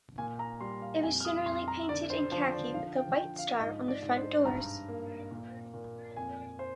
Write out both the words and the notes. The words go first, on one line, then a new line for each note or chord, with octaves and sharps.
It was generally painted in khaki, with a white star on the front doors.
A#2 G#5
A#5
G3 C6
F5
F2 G#5
F6
D#6
F2 C6
A#5
D3 D5
C5
F3 C5
D5
D3 F5
G5
F3 G5
F5
G#2 D#5
D5
G#2
C5
G2 A#5
A#3
A#2
A#2
F2 G#5
C5